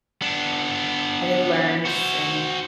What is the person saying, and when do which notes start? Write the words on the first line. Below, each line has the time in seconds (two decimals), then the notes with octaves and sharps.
And it learns and,
0.22 B3 D4
1.85 F#4 C5